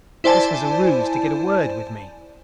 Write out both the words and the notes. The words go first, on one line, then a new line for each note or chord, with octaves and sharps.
This was a ruse to get a word with me.
E4 C5 D5 G#5 A5